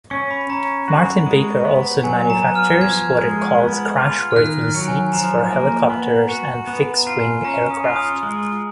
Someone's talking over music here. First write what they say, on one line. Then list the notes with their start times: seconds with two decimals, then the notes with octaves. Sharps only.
Martin-Baker also manufactures what it calls "crashworthy" seats for helicopters and fixed-wing aircraft.
0.10 C#4 C#6
0.31 B5
0.49 C#4 A#5
0.88 F#4
1.26 G#3
1.65 B3
2.03 F#3 G#5
2.30 A#5
2.43 B3
2.55 F6
2.81 F3 G#6
3.21 G#3
3.58 B3
3.97 F4
4.31 F6
4.35 D#3 F#6
4.61 F#6
4.74 F#3
4.88 G#5
5.12 F3 A#5
5.52 A#3
5.90 B3
6.29 F#4
6.67 B3 B5
6.93 A#5
7.07 F4
7.20 G#5
7.44 C#4 A#5
7.71 D#6
7.84 F4
7.96 D#6
8.23 G#3